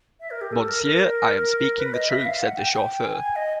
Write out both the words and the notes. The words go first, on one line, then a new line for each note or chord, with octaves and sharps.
"Monsieur, I am speaking the truth," said the chauffeur.
E5
A#4
G4
A4
A#4
A#4
B4
D#5
E5
F5
F#5
G5
G5
G#5
D#5